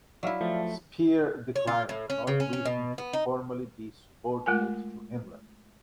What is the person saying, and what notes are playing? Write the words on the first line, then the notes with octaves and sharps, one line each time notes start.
Speer declined, not wishing to formally be subordinate to Himmler.
F#3 E4 D5 E5 F5
F3 A3
C#5
F4
A2
C#4
C#3
C#4
C#4
B2
B3
D#4
G#3 A3 F4 A#4 G#5